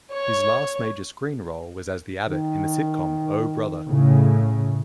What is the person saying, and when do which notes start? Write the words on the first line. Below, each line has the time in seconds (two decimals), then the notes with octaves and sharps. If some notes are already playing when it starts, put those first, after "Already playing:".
His last major screen role was as the Abbot in the sitcom Oh, Brother!
0.13 C#5
2.30 D#3
3.88 A2 C#3